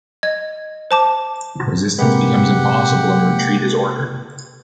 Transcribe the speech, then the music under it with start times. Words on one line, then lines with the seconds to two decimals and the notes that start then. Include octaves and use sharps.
Resistance becomes impossible and retreat is ordered.
0.23 D#5 G#6
0.91 C5 A5 D6
1.99 C3 G#3 A#3 G4 B4 F#5